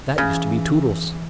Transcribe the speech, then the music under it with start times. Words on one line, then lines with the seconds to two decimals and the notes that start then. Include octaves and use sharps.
That used to be Tootles.
0.18 C#3 E3